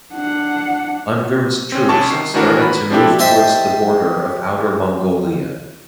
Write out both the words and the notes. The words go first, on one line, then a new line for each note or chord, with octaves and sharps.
Ungern's troops started to move towards the border of Outer Mongolia.
D4 F#5
C4 C#4
C2 C#4 A5 C#6 D6
D#3 C7
D#3 E3 A3 D4 F#4 A#4
B4 B5
F3 C4 D4 E4 G4 A4
G4 C5 D#5 E5 A5